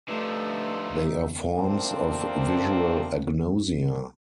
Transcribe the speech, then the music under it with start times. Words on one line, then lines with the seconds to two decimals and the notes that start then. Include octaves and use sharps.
They are forms of visual agnosia.
0.09 G2 D3 F3 A3 D#4 E5
1.54 D2 F3 A#3 C4 D4